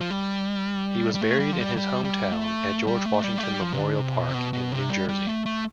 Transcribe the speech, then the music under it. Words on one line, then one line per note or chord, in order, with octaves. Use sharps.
He was buried in his hometown at George Washington Memorial Park in New Jersey.
F3
G3
G3
A3
G3
F3
G3
G3
G3
A3
G3
A3
G3
A3
G3
F3
C3
D3
C3
B2
C3
B2
B2
C3
G3
G3
A3
A3